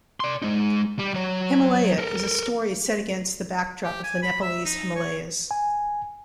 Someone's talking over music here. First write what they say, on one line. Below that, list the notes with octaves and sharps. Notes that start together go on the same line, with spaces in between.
Himalaya is a story set against the backdrop of the Nepalese Himalayas.
D5 C6
G#3 D#4
G3
F#3 C#5
A4 A#4
G4
G#5
B5
E5
D#4
C#5
G#5